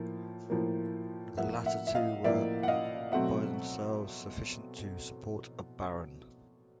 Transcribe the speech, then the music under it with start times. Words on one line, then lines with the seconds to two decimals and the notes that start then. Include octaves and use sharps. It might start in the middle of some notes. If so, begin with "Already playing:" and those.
The latter two were by themselves sufficient to support a baron.
Already playing: A2 F3 A#3
0.50 A2 F3 A#3
1.37 A2 F3 A#3 E5 F#5
1.66 E5 F#5
1.87 E5
1.95 D#5 F5
2.24 A2 F3 A#3 D5 E5
2.63 F#5
2.68 D#5 F5
3.12 B2 F#3 A3 C4 E5 F#5